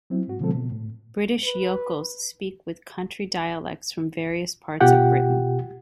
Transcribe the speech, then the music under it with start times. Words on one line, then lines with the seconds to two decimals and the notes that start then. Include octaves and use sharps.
British yokels speak with country dialects from various parts of Britain.
0.10 F#3 C4 E4
0.28 G#2 F#4
0.40 B2 D3 F3 G#3 C4 A4
0.55 B2
0.70 A2
1.44 B4
4.81 B2 F4 G4 F#5 G5